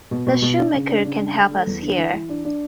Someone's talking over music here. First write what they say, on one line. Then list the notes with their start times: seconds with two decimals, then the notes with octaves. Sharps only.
The shoemaker can help us here.
0.11 B2
0.27 B2
0.42 B2
0.58 D4
0.74 C#3
0.89 D4
1.05 C#3
1.21 D4
1.36 D3
1.52 A3
1.67 E2
1.83 D3
1.98 E3
2.14 E3
2.29 D4
2.45 D4